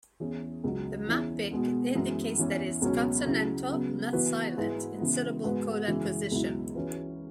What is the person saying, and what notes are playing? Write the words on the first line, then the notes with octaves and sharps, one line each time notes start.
The "mappiq" indicates that is consonantal, not silent, in syllable-coda position.
E2 E3 C#4 G#4
C#2 C#3 F#3
E2 E3 C#4 E4
B2 G#3 B3
F#2 E3 G#3 B3
E2 E3 C#4
C#2 B2 F#3 C#4
C#3 F#3 E4
C#3 F#3 B3
E3 B3 F#4 B4
G#2 G#3 E4 B4
C#3 E3 B3
G#2 G#3 B3 F#4 B4
F#2 C#3 E3 G#3
C#2 B2 F#3 E4
E3 C#4 F#4 B4